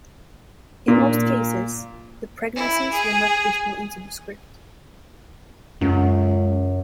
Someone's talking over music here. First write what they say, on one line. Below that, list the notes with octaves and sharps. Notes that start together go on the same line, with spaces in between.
In most cases, the pregnancies were not written into the script.
A#2
E4
G#4
C#2 F#2